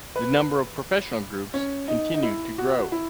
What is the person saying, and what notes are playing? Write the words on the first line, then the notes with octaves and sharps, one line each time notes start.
The number of professional groups continued to grow.
B4
C#4
D#4
D#4
E4
F#4
E4